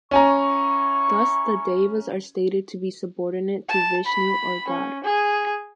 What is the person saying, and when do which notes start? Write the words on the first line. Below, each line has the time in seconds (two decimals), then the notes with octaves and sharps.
Thus the Devas are stated to be subordinate to Vishnu, or God.
0.11 C#4 E4 G#5 A#5 C#6
3.69 A5
4.06 B5
4.67 C#4
5.04 G#4